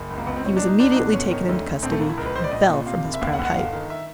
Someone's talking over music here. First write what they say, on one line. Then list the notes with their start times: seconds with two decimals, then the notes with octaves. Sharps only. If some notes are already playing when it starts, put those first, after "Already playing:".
He was immediately taken into custody and fell from his proud height.
Already playing: F#1
0.10 C#2
0.18 A#3
0.26 C#2 B3
0.36 C4
0.45 A#2 C#4
0.57 D4
0.62 A#2
0.67 D#4
0.80 C#2 D4
0.91 D#4
0.96 B2 D4
1.13 G1 C#4
1.31 D#3
1.49 D2
1.66 D2
1.82 A#1 C4
1.92 A3
2.00 A#1 A#3
2.10 E4
2.17 C#2 A#4
2.26 B4
2.35 C#2 C5
2.44 D5
2.52 A#1 D#5
2.70 A#2
2.86 C3 F5
3.04 F#1
3.14 E5
3.21 D#2 F5
3.33 F#5
3.39 D#2
3.45 F#5
3.56 G1 F5
3.73 D#3
3.90 E5